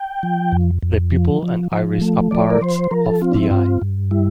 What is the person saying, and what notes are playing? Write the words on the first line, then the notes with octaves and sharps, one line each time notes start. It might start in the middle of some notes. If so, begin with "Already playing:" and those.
The pupil and iris are parts of the eye.
Already playing: G5
F3
F2
F2
F3
F3
F3
A3
F3 D5
A#4
F3 C5
F3 A#4
A4
C4 F4
D4
E4
G2 F4
G2
G3 E4